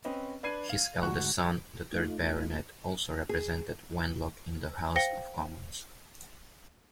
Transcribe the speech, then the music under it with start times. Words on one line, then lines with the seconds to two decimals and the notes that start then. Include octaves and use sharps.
His eldest son, the third Baronet, also represented Wenlock in the House of Commons.
0.05 C4 C#4 B4 D#5
0.43 D4 B4 G#6 C7 D#7
0.69 F5
1.02 D2 G#2 F#4 C#6 F#6
1.92 A3 D#4 F4
3.29 G#4
4.95 C5 F5 G5 A#6 C#7 G7